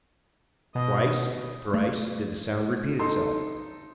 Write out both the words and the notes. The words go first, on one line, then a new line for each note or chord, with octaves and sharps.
Twice, thrice did the sound repeat itself.
B2 D#5
A3
D#4 A4 C6